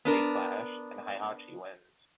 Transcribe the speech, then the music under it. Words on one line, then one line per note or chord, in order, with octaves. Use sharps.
They clash, and Heihachi wins.
B3 D4 A#4